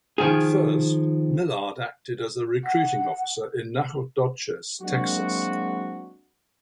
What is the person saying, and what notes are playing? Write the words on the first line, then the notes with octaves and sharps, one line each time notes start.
At first, Millard acted as a recruiting officer in Nacogdoches, Texas.
D#3 F3 G#4
F#5
F#3 G#3 A#3 C4 D4 F#4